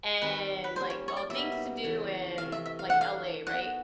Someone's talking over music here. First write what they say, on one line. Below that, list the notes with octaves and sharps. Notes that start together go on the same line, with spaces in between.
and like, "Oh, things to do in, like, LA," right?
D#3 G3 C4 D#4 B4
B4
G3 A#3 C#4 C5
C#5
C#5
D5
B2 G3 A#3 D#4 E5
C#3 E3 G#3
C3 E3 A3 F5
E5
E5
F5
E3 A3 D4 F#5
F5
B3 D#4 F#4 A4 F#5